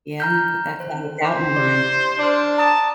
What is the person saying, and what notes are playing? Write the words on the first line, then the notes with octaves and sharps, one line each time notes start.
yeah, you put that cloud of doubt in your mind.
A#5 F6 G6
C5
C5 D6
E4 G4 D5
D4 D6 F6
A5 A#5 D#6